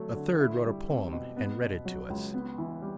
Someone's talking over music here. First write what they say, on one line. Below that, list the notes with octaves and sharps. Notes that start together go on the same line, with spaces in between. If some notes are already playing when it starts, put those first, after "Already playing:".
A third wrote a poem and read it to us.
Already playing: D3 F#3 A3
D3
E4
G3
C4
B2
B3
B2
F#3
C#2
B3
E3
G3